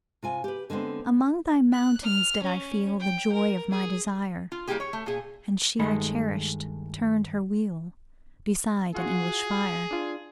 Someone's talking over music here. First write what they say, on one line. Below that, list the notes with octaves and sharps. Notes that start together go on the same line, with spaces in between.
Among thy mountains did I feel The joy of my desire; And she I cherish'd turn'd her wheel Beside an English fire.
C3 F4 G#5
G4 B4
D3 G#3 B3 C4
F#6
F6
C#4
G5
A#4
G#4
F4
G3 A#3 D#4 E4 G4 G#4
C#5
A3
A#2 G#4
G2 D#3 G#3 A3 D#5 B5
F4 F#4 G#4 F#5
D4 F4